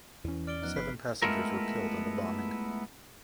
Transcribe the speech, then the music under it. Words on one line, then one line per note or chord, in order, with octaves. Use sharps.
Seven passengers were killed in the bombing.
E2 E3 C#4
D5 F6 D7 G7
F3 B3 D#4 F6 F#6
G1 B4 B6 C7
G#3 A3 B3 E4 F4 A#4